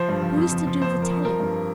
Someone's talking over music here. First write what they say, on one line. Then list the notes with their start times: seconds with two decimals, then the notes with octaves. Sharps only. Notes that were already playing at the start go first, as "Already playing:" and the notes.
"Who is to do the telling?"
Already playing: F3 C5
0.09 G2
0.22 F3
0.37 F2
0.52 F3
0.67 F3
0.81 F2 C5
0.96 F2
1.02 A#4
1.10 F2
1.25 F3 A#4
1.40 G2